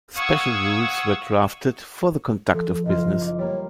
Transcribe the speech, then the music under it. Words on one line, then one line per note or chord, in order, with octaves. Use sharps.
Special rules were drafted for the conduct of business.
F5 F#5 C#6 D#6 E6 G#6
F3 A4
F#1 F4 D#5
D6
G3 A#3 C#5